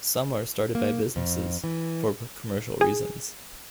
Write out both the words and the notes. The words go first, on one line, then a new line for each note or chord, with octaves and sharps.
Some are started by businesses, for commercial reasons.
A#3
F2
E3
G#4